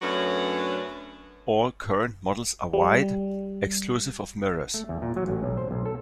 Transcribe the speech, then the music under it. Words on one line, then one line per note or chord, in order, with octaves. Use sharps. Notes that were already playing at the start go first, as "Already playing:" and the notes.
All current models are wide, exclusive of mirrors.
F#2 F#3 A3 B3 C#4 D4
G3
A3
E2
A#2
F#3
A1
B1
C5
B1
A4